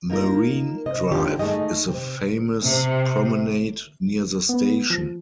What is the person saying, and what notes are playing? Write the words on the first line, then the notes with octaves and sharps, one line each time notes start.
Marine Drive is the famous promenade near the station.
A#3 D#4 F4 A#4
C3 D#5
D3 D#3 D4 F4 G4 D5
A3 D#4 G#4 D#5
C3
C3
B3
F3